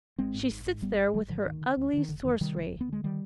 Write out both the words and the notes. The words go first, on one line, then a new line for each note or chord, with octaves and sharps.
She sits there with her ugly sorcery.
G#1 G#3 C4
G#2
G#1
G#2
G#1 G3 B3
G#2
G#1 D#3 G3
G#2 D3 F3
D2 D#3
D3
D2
D3 D#3
F1 D3
F2 D#3
C3 D#3 G3
F1
D2
B3
D3 G#3
D#3 G3